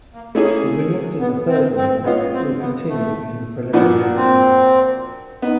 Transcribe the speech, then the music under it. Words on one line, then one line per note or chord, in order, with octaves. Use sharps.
The winners in the third round will continue in the preliminary round.
A#3
A3 A#3 C#4 E4 G#4
B3
C4
C4
G#3 B3 C#4 F4
C4
B3
A3
A#2 F3 A#3 B3 D4 F#4
C4
B3 D#4